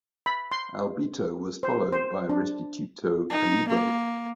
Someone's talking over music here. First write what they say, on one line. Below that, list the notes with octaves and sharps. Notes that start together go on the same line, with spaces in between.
Albito was followed by Restituto Calibo.
B5
C6
C5
C5
D4
D#4
A#3